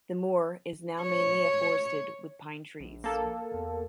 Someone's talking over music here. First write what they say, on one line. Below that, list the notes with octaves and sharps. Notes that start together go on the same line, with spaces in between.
The moor is now mainly afforested with pine trees.
C#5
A#1
A#3 A4
E2